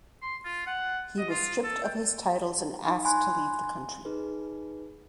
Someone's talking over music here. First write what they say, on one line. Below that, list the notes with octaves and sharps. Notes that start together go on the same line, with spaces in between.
He was stripped of his titles and asked to leave the country.
C6
F4
F#5
D#5
F4
A4
G5
D#4
G#5 B5 C6 F#6
D#4 G#4 B4